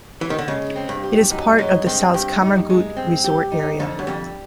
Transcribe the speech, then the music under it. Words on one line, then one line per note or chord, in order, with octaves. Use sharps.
It is part of the Salzkammergut resort area.
E3
D#3
D3
C#3 G#3
C4
G2
G4
F#2 D#4
F#2 G#3
G2 C4
G2 G4
D#4
G#3
C4
G4
D#4
F2 D3
F#2
F2 G3